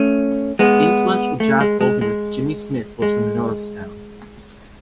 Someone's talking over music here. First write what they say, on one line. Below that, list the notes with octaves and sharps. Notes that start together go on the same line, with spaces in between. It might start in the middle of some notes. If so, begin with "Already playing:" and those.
Influential jazz organist Jimmy Smith was from Norristown.
Already playing: A3 C#4
G#3 B3
A3
G#3
G#3
G#3
G#3